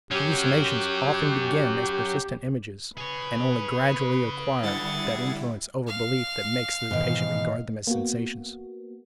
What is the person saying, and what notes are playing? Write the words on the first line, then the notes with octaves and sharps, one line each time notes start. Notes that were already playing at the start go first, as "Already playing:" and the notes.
Hallucinations often begin as persistent images, and only gradually acquire that influence over belief that makes the patient regard them as sensations.
F#3 C#4 G4
G#4 B4 C#5
D3 G3 E4 F#5 A6
F5
G#2 B2 D#3 E3
A#3 B3 F#4